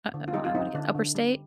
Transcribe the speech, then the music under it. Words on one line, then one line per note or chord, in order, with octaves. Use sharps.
uh uh, why I woulda get li upper state?
D3
F4
G3 D#4 G4
F4
C4 D#4
D3 D4
D3
G3